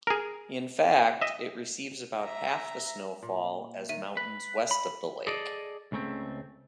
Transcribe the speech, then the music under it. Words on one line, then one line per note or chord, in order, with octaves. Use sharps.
In fact, it receives about half the snowfall as mountains west of the lake.
G#4 A#4
D#5 E5
E5 A#5
A#2
D#3 E5 D#7
B4
B5
G#4 A4 D5 D#5
C#2 C#3 A3 C4